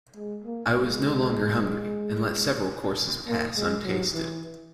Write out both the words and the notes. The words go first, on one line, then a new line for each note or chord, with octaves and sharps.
I was no longer hungry, and let several courses pass untasted.
G#3
A#3
G#3
A#3
G#3
F#3
E3